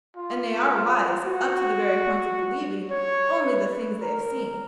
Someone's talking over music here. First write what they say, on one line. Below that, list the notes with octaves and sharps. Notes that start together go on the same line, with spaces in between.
And they are wise up to the very point of believing only the things they have seen.
F4
F4
F#4
C#5
B4
A#4